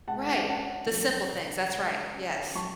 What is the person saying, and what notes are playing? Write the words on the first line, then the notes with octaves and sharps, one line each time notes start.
Right, the simple things- that's right, yes.
C#2 F#5 A5
C#4 F#5 A5
F#3
C#3
C#2
C#4
F#3 A5 C#6